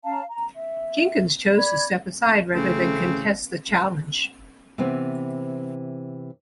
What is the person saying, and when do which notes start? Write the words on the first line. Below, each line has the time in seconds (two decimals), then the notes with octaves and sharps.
Jenkins chose to step aside rather than contest the challenge.
0.04 C#4 F5 A5 A#5
0.28 A#5
0.57 E5
1.57 D5 B5 G#6
2.54 A1 C#3 A3 C4
4.78 C3 E3 B3 C4